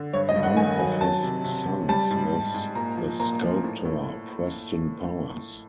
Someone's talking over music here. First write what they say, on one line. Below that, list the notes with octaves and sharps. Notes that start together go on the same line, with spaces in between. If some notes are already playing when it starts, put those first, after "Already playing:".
One of his sons was the sculptor Preston Powers.
Already playing: D3
G2 C#5
D#5
G2
F#5
D#3 G#5
F#3
F#3 A5
C3
C3
C3
G3 A5
G#2
G#2
G#2
A#2 A#5
F3
A#2 A#5
F3
A2
A2